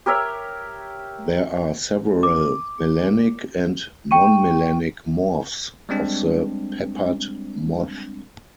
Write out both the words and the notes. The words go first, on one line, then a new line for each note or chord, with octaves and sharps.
There are several melanic and non-melanic morphs of the peppered moth.
G4 A#4 C#5 E5
D6
G5 C#6 D#7
G3 G#3 C4 D4